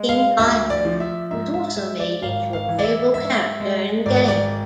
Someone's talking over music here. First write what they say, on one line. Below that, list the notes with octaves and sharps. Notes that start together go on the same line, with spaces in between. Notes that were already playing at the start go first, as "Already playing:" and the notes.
King Diamond was also made into a playable character in the game.
Already playing: G#3
F5
D2 E5
D5
F3
E5
G#2 E5
E5
G#3 E5
D5
G#1 F5
F5
E3
D5
E5
G#2 E5
G#3
G#1 D5
D5